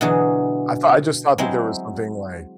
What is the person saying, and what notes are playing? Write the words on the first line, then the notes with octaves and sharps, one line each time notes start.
I thought I just thought that there was something like
B2 D3 E3 F#3 G#4
F#3 G#3 C4 E4